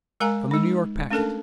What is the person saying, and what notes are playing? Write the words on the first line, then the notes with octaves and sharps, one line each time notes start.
From the New York Packet.
G#3 A#4 F5 G#5 A#5
G#3 D#4
A3 C#4 D4 A4 A#4 A5